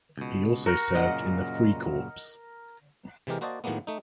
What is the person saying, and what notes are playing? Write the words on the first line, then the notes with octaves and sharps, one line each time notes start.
He also served in the "Freikorps".
C#2 B2
F#4 A#4
F#2 A#2 C#3 D#5 F#5
C3 E3 G#3 G4 A#4
A#3 F#4 C5 D5 D#5 A5
A2 D#3 F#3 G#3 A#3 B3
A3 D#4